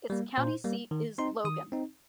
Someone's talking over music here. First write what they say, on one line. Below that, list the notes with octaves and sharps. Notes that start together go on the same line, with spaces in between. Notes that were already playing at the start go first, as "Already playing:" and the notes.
Its county seat is Logan.
G3 A#3
A#2 C5
G3 A#3
D#3
C4 D#4 C6
D#3 D#6
C4 D#4